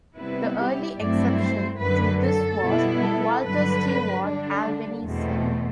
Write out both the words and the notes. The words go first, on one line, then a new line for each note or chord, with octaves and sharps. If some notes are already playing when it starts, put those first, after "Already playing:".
The early exception to this was Walter Stewart, Albany's son.
C3 G3 B3 E4 B4
G4
G2 F#3 A3 C4 E4 D5
C5
F#2 D3 F#3 B4
A4
B2 G3 B3 E4
A4
G2 D3 F#3 B4
D3 G3 D4
E2 B2 A3 C4